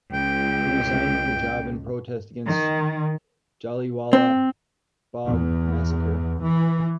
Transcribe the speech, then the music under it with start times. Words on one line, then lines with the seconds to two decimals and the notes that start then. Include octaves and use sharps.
He resigned from the job in protest against Jallianwala Bagh massacre.
0.13 C#2 G5
2.45 D#3
4.13 C4
5.26 E2
6.43 E3